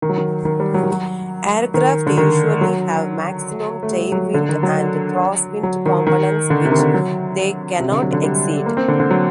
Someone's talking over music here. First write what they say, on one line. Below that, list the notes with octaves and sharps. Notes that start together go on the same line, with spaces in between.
Aircraft usually have maximum tailwind and crosswind components which they cannot exceed.
D#3
F#3
D#3
D#3
G3
F#3
D#3
F#3
D#3
D3
D#3
F#3
A3
G3
F#3
D3
D#3
F#3
F#3
D#3
D#3
D3
C3
D#3
D3
F#3
C3
D3
F#3
D3
G3
A#3
C4
D3
D3
F#3